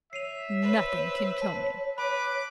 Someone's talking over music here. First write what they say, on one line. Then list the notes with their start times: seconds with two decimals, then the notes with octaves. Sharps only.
"Nothing can kill me."
0.13 C#5 E5 C7 D#7 F7
0.62 B4 C5
1.38 A5 B6
1.98 B4 B5 D6